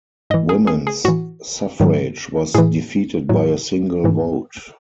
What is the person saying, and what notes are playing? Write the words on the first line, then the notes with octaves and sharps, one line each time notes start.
Women's suffrage was defeated by a single vote.
G#2 E3 D#5
G#4
G#4
G#4
A2 E3 F#4
G#2 D#3 F#3
A2 E3 G#4
A2 F#3
G#2 E3